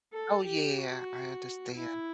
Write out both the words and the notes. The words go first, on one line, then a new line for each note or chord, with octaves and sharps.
Oh, yeah. I understand.
A4
G4
F#4
E4